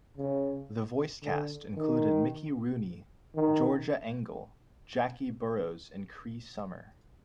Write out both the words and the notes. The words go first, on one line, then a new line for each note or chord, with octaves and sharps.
The voice cast included Mickey Rooney, Georgia Engel, Jackie Burroughs and Cree Summer.
C#3
D3
D#3
D#3